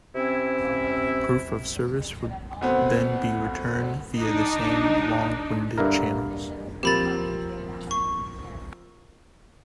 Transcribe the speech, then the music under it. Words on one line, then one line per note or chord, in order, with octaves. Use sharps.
Proof of service would then be returned via the same long winded channels.
C3 C4 C#4 E4
D2 B3 C4
D4 D#4
G2 D3 A#3 E4 A#4
F3 A#3 C4 G4 B5 A6
C#6